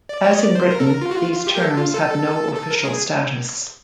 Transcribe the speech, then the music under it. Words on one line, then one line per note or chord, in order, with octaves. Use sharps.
As in Britain, these terms have no official status.
D5
C#5
D#5
D5
C5
A#4
A4
A#4
F4
F#4
F4
F4
G4
A#4
A4
F4
A4
A4
A#4
G#4